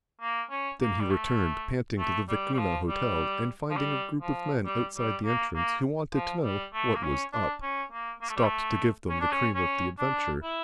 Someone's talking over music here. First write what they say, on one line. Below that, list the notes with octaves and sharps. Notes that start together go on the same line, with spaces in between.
Then he returned panting to the Vicuna Hotel, and finding a group of men outside the entrance, who wanted to know what was UP, stopped to give them the cream of the adventure.
A#3
C#4
A#3
G3
A3
A3
G3
G3
F3
G3
F3
G3
F3
G3
G3
A#3
A#3
F3
G3
A3
A#3
C#4
D4
C#4
A#3
A#3
A3
G3
A3
C#4
D4
C#4
C#4
D4
E4